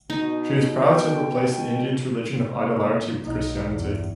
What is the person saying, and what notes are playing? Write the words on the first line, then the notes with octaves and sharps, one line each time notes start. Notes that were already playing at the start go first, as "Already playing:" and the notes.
She is proud to have replaced the Indians religion of idolatry with Christianity.
B2 D#4
G5
C3 A#3
B1 D#4
E2 G2